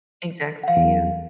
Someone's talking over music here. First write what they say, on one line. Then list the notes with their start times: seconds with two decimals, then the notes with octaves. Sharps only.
Exactly, yeah,
0.63 F5 F#5
0.77 E2